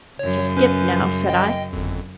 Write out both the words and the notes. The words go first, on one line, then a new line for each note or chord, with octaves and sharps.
"She'll skip now," said I.
F#2 C#3 C#5
C#4 B4 G6
D#5 G5
G1 F2